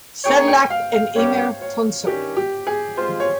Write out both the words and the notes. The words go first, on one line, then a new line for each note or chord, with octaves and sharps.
Sedlak, and Emre Tuncer.
A#3 D#4 G#4 C#5 G5
G5
F5
F5
G3 A#3 C#4 G4 C#5
C#5
G2 D#3 G3 C#4 G4
G4
G#4
G#3 C4 F4 C5
C#5